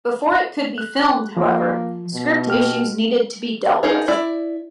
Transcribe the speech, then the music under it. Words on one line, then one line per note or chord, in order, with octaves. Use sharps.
Before it could be filmed, however, script issues needed to be dealt with.
F#6
F3 A#3
B2
A#3 G4 F6
D#4 G#4 A#4 C#5
E4 D5